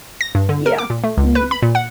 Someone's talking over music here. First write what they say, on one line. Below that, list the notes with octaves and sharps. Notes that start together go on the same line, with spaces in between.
Yeah. Mhm.
A#6
G2
D3
A#4
D6
A#2
A3
C#2
B4
B5
A#2
F#5